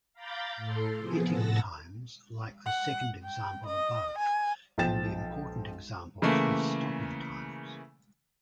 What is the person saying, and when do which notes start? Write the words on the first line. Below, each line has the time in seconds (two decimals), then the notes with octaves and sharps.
Hitting times like the second example above can be important examples of stopping times.
0.13 F5 A#5 B5 D6 G6 A6
0.56 A2 A4 C6
0.98 C3 F3 B3 G#4
1.29 A2 A4 F#5 E6 A6 A#6
2.66 F#5
3.23 G5
3.66 D#5
4.18 G#5
4.78 B1 F3 G5 A6 E7
6.22 C#3 E3 A3 A#3